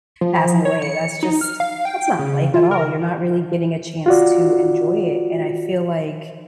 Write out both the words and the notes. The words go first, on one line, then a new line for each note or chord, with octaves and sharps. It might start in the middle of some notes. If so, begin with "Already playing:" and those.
passing away. That's just that's not life at all, you're not really getting a chance to enjoy it, and I feel like
F3
C#5
C#7
D#4
F6
F5
G5
C#3
F4
A#4
F4 F#4 D5